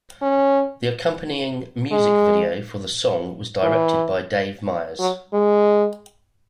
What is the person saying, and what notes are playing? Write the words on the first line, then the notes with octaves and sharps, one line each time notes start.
The accompanying music video for the song was directed by Dave Meyers.
C#4
G#3
E3
F#3
G#3